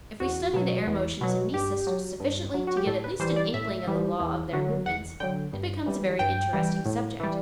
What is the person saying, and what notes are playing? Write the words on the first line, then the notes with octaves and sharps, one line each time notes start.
If we study the air motions in these systems sufficiently to get at least an inkling of the law of their movements, it becomes a very interesting subject.
E2 F#4
B2 F#3
E2
B2 F#3
G2 G4
F#3
G2
F#3
F#4
G4
A2 A4
B4
E3 G3 C5
D5
A2 E5
E3 G3
E2
D3 F#3
E2 F#5
D3 F#3 G5
G2
E3 G3
G2 G5
E3 G3
A2
E3 G3